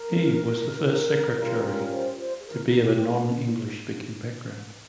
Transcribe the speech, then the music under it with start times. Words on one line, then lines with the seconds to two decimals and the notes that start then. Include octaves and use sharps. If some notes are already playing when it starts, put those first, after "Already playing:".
He was the first Secretary to be of a non-English speaking background.
Already playing: A#4
0.84 A#4
1.38 G3 C#4 F4
1.92 C5
2.19 C5
2.40 G#4
2.47 A#4
2.64 D#4
2.83 G4
3.00 F4